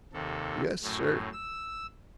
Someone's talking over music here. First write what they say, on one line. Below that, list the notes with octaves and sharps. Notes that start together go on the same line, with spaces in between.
"Yes, sir."
D#2 C3 A4
F#2 A2
E6